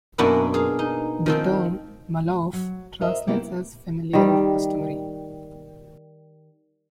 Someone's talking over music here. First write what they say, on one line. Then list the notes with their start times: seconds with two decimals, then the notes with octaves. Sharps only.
The term "malouf" translates as "familiar" or "customary".
0.18 F#2 B2 A#3 B3 D4 E4
0.54 G#4 F5
0.79 D#4
1.26 D#3 F3 C4
2.53 F#3
3.01 A#4 C5 D#5 E5
3.27 C3 A#3 B3 E4 G4
4.13 D#3 G3